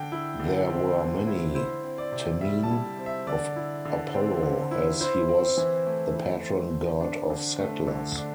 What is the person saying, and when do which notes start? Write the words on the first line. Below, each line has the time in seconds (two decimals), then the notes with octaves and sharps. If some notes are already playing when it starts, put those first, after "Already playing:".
There were many temene of Apollo, as he was the patron god of settlers.
Already playing: D3 G5
0.12 E4
0.40 D3
0.69 C4
0.98 D3
1.27 E4
1.55 E4 C5
1.83 C4
1.98 D5
2.12 C3
2.41 G3 E5
2.63 A5
2.70 E4
2.99 C4
3.06 E5
3.27 D3 D5
3.56 E4
3.85 D3
4.14 C4
4.43 D3
4.71 E4
5.01 E4 C5
5.29 C4
5.57 E3
5.87 A3
6.15 E4
6.44 C4
6.73 D3
7.01 D4
7.30 D3
7.59 A3
7.87 D3
8.16 D4